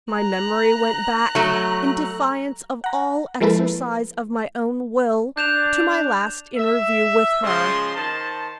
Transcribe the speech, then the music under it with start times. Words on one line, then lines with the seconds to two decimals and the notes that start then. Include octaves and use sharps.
My memory went back, in defiance of all exercise of my own will, to my last interview with her.
0.14 A#5 F#6
1.35 F#3 A3
2.84 F#5 A#5
3.40 F3 G#3 A#3 E4 A4 B4
5.37 D4 G6 E7 F7
6.57 E5
7.44 C#3 F3 G#3 C5 C6
7.96 D#3 C5 A5